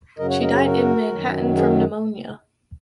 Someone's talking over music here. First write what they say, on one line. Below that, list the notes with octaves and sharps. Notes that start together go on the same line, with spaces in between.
She died in Manhattan from pneumonia.
F#2 C#3 F#3 A#4 D#5
C#5 F#5
A#4 D#5
G#4 C#5
F#4 A#4
F#2 D#3 F#3
D#4 G#4